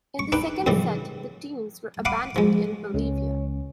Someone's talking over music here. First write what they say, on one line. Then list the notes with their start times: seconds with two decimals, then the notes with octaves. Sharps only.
In the second set, the teams were abandoned in Bolivia.
0.19 C#6
0.32 D4 D#4 B4 G5
0.66 F2 A2 C#3 E3 G3
2.05 F5 F#5 B5 D6 D#6
2.36 F3 G#3
2.94 C#2 C#4